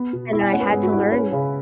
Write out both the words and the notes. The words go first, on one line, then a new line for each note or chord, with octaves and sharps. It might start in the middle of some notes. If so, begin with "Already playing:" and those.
and I had to learn
Already playing: B3
B2
E4
G#5
C#4 F#5
B4
G#2 G#4
F#4
E4
G#4
C#4 B4
C#3